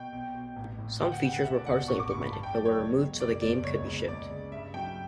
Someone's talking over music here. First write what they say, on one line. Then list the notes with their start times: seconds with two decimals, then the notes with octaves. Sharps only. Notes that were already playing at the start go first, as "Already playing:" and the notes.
Some features were partially implemented, but were removed so the game could be shipped.
Already playing: B2 G5
0.13 B1
0.35 B2
0.56 A1
0.78 A2
1.01 D2 G5
1.12 F#5
1.22 C#3 F#5
1.34 F#5
1.44 E1 E5
1.56 D5
1.66 E2 F#5
1.88 A1 C#6
2.00 D6
2.10 G2 C#6
2.22 B5
2.32 G2 A5
2.43 G5
2.54 F#3 D5
2.65 C#5
2.77 C#2
2.98 B2
3.20 F#1 D5
3.42 E2 D5
3.64 C#2 C#5
3.86 C#3
4.08 C#2 D5
4.30 C#3
4.52 G2 E5
4.74 F#3 G5